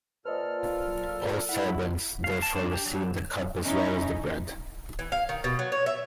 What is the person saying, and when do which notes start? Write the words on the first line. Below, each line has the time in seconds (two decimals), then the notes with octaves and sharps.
All celebrants therefore receive the cup as well as the bread.
0.26 A#2 A4 B4 C5 D#5 F6
0.56 F4
0.87 F#3
1.49 E4 F#5 B5
2.24 F5
2.42 A5
2.55 D4
2.74 G4
2.86 F#3
3.63 C#4 D#4 E4
4.99 E3
5.12 F5
5.29 D#3
5.44 B2
5.59 F#3
5.72 C#5
5.86 E5